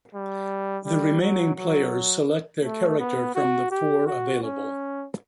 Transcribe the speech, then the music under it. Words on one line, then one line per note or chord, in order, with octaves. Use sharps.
The remaining players select their character from the four available.
G3
G3
F#3
F#3
A3
B3
F#4
G4
F#4
C#4